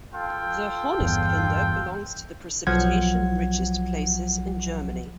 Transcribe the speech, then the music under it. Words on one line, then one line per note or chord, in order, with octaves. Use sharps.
The Hornisgrinde belongs to the precipitation-richest places in Germany.
F4 A4 G5
G1 E2
B1 F3 F#3 F#5 G#6